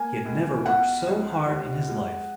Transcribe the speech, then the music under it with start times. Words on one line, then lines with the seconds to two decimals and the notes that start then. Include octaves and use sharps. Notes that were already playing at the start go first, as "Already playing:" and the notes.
He had never worked so hard in his life.
Already playing: A#3 G#5
0.25 C#2
0.65 B2 F#5
1.07 C#2
1.47 D#2
1.89 G#3